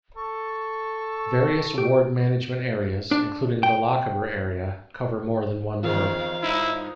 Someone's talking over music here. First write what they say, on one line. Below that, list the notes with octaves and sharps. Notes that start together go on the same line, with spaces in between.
Various ward management areas, including the Lochaber area, cover more than one ward.
A4 C#6
G4 D7
D4
G5
E2 D#3 F4 G#4 A#4 C5 F5
G2 D#4 E4